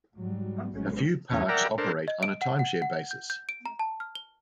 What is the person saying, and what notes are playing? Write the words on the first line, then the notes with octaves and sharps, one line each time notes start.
A few parks operate on a time-share basis.
G#2 F#3 G3
A1 F#3 G#3 C#4
E2 C#4
A#4 D5 E5 F#5 G5 A#5
D4 A4 A#4 C5
D#5
D7
F#5
F#5
F#5
G6
G6
D7
A#5
A5
F6
G7